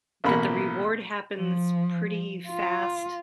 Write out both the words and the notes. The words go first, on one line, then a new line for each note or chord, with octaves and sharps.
that the reward happens pretty fast
A1 B2 A#3 B5
F3
F4